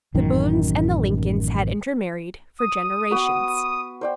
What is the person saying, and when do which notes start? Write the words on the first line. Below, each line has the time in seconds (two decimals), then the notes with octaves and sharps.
The Boones and the Lincolns had intermarried for generations.
0.15 A1 F#2 D#3
2.59 D#6
3.11 B3 F#4 B5
4.01 C5 D5 G5